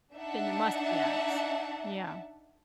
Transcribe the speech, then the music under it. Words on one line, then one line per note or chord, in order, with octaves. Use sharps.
Then you must be honest. Yeah.
D4 D#4 E5 F#5 A5